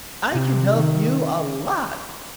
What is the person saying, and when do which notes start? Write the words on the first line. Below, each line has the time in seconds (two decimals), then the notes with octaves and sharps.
"I can help you a lot."
0.32 C3
0.72 D#3